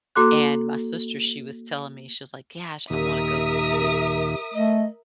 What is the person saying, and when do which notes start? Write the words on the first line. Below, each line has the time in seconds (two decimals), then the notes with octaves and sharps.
And my sister, she was telling me, she was like, "Gosh. I wanna go to this
0.16 A#3 F#4 A4 C6 D6 F#6
2.90 D#2 A#2 D#3 G4 A#4 E5 D#6
4.54 A3 D#5